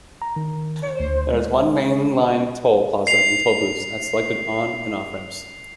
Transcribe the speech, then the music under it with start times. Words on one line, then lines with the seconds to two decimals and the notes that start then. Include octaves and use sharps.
There is one mainline toll plaza and toll booths at selected on- and off-ramps.
0.22 A#5
0.36 D#3
1.00 D2
1.33 G#3
3.07 C7 F7